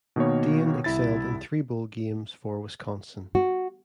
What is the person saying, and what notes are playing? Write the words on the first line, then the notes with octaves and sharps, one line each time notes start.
Dayne excelled in three bowl games for Wisconsin.
B2 D#3 A#3 B3 C#5
C2 E4 A6
F#4